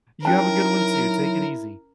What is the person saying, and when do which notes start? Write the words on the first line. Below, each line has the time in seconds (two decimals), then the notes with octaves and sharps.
You have a good one too, take it easy.
0.25 F#3 C#4 D#4 E4 A#4 A5